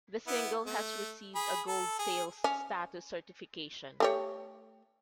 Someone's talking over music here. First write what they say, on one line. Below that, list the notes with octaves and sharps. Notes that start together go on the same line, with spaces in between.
The single has received a Gold sales status certification.
B3 E4
A3
G#4 B5
A4
G#4
C#4
A3 G4 C#5